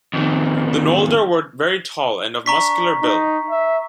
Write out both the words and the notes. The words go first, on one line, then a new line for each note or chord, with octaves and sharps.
The Noldor were very tall and of muscular build.
F2 D#3
D4 A#5 C#6 B6
D#4
E5